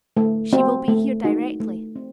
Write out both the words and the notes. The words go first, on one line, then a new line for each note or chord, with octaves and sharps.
"She will be here directly."
A3
C4 F#4
A3
D#4 F#4
A3
C4